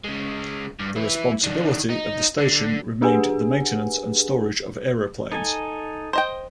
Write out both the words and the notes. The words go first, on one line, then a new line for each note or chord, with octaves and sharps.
The responsibility of the station remained the maintenance and storage of aeroplanes.
C#3 G#3
G2
E4 B4
D#3 D4
D#4
D3
D4 G4 G#4 B4 F#5 G#5
D#4 A4 G#5
C5 D#5 G5